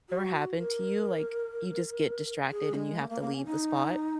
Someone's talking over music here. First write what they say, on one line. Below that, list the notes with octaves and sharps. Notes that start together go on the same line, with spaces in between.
ever happened to you? Like, you just get distracted and you have to leave the spot?
F#4
A#4
G#4
G#3
A#3
A#3
A#3
C#4
D#4